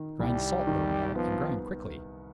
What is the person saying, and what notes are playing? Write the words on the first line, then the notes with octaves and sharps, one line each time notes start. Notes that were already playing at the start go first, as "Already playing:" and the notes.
"Grind salt, Little Mill, and grind quickly!"
Already playing: D#3
C2 G3
D#3
F3 B3